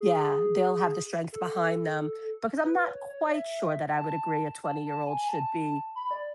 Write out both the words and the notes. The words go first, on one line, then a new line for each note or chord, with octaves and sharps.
yeah, they'll have the strength behind them because I'm not quite sure that I would agree a twenty-year-old should be
G#4
A4
B4
C#5
C#5
E5
A5
A5
A5
G#5
G#5
A5
B5
D5